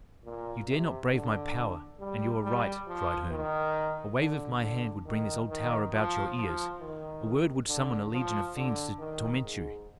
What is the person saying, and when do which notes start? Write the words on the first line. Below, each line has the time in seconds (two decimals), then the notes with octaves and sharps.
"You dare not brave my power, and you are right," cried Herne--"a wave of my hand would bring this old tower about your ears--a word would summon a legion of fiends to torment you."
0.25 A#2
0.69 C3
1.12 D3
2.00 G3
2.44 G3
2.88 F3
3.31 D#3
4.19 D3
4.62 D3
5.06 D#3
5.49 D#3
5.94 F3
6.37 F3
6.81 D#3
7.68 D3
8.12 F3
8.56 D3
8.99 D#3
9.43 G#2